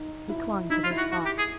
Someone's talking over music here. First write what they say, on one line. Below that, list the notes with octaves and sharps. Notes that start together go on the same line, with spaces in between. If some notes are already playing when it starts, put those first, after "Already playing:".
He clung to this thought.
Already playing: D#4
E4
D#4 E4
F4
E4
F#4
F#4
G4
G#4